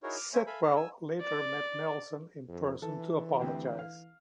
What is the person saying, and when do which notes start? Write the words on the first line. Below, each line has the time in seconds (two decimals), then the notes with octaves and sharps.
Sitwell later met Nelson in person to apologise.
0.03 D#4 E4 F#4 G#4 A#4 C#5
0.17 D6 F6
0.33 A#3 C5 C#5 E5 G#5
0.47 A4 E5 F5 G#5 B5
0.63 D#5 A5 F6
0.76 G#5 E6
1.22 D5
2.48 F2
2.82 E3 A4
3.40 D2 C4 G4
3.79 F5